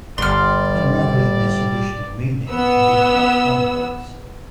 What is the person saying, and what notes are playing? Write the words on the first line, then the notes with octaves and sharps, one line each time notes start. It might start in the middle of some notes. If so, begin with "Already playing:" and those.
Unraveling this additional meaning can become quite complex.
G1 G3 D5 C6 F6
B3 E6